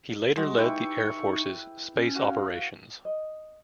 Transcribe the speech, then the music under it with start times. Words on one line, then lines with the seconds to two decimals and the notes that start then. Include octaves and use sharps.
He later led the Air Force's space operations.
0.37 G3 G#3 F#4
0.57 D#4 E4 G4 B4 C#6
1.96 C3 C#4
2.16 F#4 F5
3.05 D#5